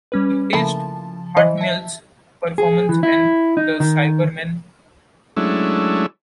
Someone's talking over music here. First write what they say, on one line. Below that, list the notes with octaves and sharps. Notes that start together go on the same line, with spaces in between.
He praised Hartnell's performance and the Cybermen.
G3 C#4 B4
C#3 F3 A3 A#3 E4 A5
E3 E4 C5 D#5
E5 A5
G#4
E3
E4
D#4
D#3
F#3 G#3 A3 C#4 D4 E4